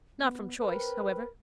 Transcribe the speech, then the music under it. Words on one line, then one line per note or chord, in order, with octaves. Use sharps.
Not from choice, however.
B3
C4 A#4 B4